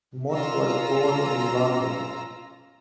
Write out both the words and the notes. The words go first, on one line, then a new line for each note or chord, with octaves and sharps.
Mote was born in London.
C#4 F4 A#5 E6 A#6